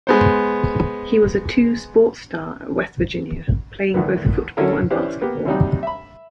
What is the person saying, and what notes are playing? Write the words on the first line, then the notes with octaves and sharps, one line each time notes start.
He was a two-sport star at West Virginia, playing both football and basketball.
G#3 B3 C5
E2 G#2 D3 D#3 B3
D3 C#4 E4 A4 A#4
E3 C#4 D4 G4 B4 C5
A#3 B3 G4
D#2 C3 F#3 G3 D4 D#4
E5 B5